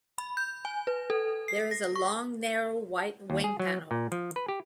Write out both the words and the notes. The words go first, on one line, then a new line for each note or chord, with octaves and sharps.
There is a long narrow white wing panel.
B5
G6
G#5
B4
A4
C7
A#6
C#6
D#2
G#4
F#3
A#2
F3
B4
G4